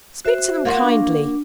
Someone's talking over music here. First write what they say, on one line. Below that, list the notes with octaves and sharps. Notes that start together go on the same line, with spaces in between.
Speak to them kindly.
F#4 C5 E5
A#3 F4 F#4
D4